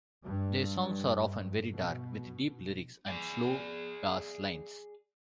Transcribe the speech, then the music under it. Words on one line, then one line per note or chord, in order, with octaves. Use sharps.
Their songs are often very dark, with deep lyrics and slow bass lines.
G2
B2
G#4 D5